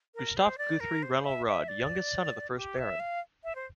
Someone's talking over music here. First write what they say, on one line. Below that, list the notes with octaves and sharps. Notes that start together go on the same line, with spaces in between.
Gustaf Guthrie Rennell Rodd, youngest son of the first Baron.
A#4
C5
D5
A#4
C5
E5
E5
D5
G4
E5
F5
E5
C5